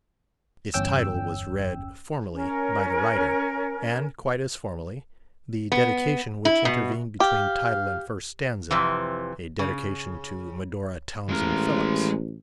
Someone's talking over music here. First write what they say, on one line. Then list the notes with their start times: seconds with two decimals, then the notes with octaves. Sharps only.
Its title was read, formally, by the writer; and, quite as formally, the dedication which intervened between title and first stanza,--a dedication to "Medora Townsend Phillips."
0.74 G1 E2 C#4 G5 E6
2.32 C#4 A#4
5.72 B3
6.45 E4
6.65 B2
7.20 G4 F5
8.71 F2 C3 E3
9.59 C#3
11.29 A1 G#3 A#4